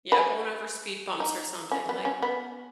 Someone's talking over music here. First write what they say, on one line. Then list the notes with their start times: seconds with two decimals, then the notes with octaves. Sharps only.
yeah, going over speed bumps or something, like
0.12 B4
0.18 G#4
1.20 D#4
1.72 C#4
1.89 B3
2.05 C#4
2.22 B3